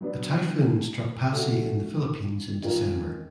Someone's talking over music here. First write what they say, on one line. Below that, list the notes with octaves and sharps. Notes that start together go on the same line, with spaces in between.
A typhoon struck Passi in the Philippines in December.
F#3 B3 D4
A3 C#4 F#4
D#3 G#3 C#4 F4 A#4